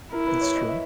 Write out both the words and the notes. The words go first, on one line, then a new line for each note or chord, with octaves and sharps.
That's true.
E4 A#4
B4
C#5
D#5
E5